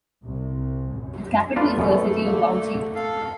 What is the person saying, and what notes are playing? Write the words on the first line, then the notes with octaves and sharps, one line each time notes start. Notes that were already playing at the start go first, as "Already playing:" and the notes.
Its capital is the city of Bauchi.
C2
F#2
A3 D4 F4 B4
F#2 B2
D3 A#3
A4 F5